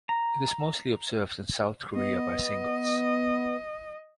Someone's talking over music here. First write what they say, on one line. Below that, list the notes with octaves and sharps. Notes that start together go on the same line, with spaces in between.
It is mostly observed in South Korea by singles.
A#5
B3 D#5